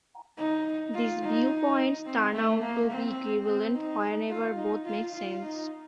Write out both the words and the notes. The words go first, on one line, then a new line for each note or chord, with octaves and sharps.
These viewpoints turn out to be equivalent whenever both make sense.
D#4
F4
D#4
C4
A3
A#3
C4
C4
D#4
F4
D#4
F4
F4
D#4